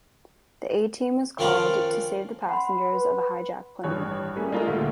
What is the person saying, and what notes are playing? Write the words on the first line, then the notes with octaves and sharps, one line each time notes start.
The A-team was called to save the passengers of a hijack plane.
D#3 F3 C#4 F4 B4 D5
F#5 B5 C6
B4
A1 G2 C#5 F#6
G3 A3 A#3 C#4 G#4
G#3 A3 D4 D#4 F4 A#4
D2 A#2 A3 F4